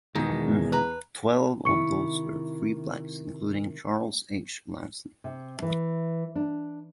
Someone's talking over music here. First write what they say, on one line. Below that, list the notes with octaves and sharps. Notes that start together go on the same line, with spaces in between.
Twelve of those were free blacks, including Charles H. Langston.
E2 B2 D#3 G#3 D#4
B4 A#5
C3 D#3 E4 C#6 C#7
C3
E3
D4